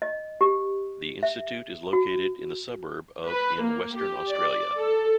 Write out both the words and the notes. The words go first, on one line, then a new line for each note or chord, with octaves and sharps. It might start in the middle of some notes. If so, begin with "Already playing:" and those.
The institute is located in the suburb of in Western Australia.
D#5
G4
E5
F#4
B4
A#3
G4
D5
A4